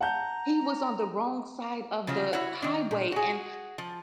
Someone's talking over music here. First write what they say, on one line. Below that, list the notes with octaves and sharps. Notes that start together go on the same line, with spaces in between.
he was on the wrong side of the highway and
F#5 A5 A#5 G6
C#3 F3 F#3
E4 F#4 C#5 F#5
D#3 D4
A#2
F#4 G#4
F3